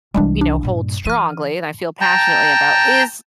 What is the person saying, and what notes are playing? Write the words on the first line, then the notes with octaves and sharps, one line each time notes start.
you know, hold strongly and I feel passionately about is
C2 E3 G3 G#3 D4
D4
G2 A#2
E3 F6 D#7
G5 A5 A#5